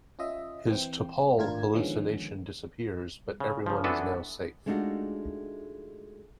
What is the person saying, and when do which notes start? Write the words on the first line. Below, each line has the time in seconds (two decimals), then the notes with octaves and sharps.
His T'Pol hallucination disappears, but everyone is now safe.
0.19 C#4 F4 D#5 E5
0.68 E3 C4 G5
1.38 G#1 A2 D4 F4 A#4 G#6
1.74 D3 D#3 F3 G#3 B3 C#4
3.40 C#3
3.66 C#3 F3
3.84 E3 B3 D4 F#4 A4 B4
4.66 G#3 A3 D4 D#4 F4 F#4